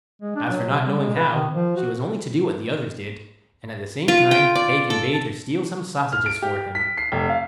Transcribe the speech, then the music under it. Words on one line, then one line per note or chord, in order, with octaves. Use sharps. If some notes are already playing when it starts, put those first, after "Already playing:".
As for not knowing how, she was only to do what the others did, and at the same time Hacon bade her steal some sausages for him.
G#3
D4
F#3
C3
G3
G#3
B4
D#3
F3
F#4
F4
G5
D5
A4
F6
D7
G4
B6
C7
F1
F5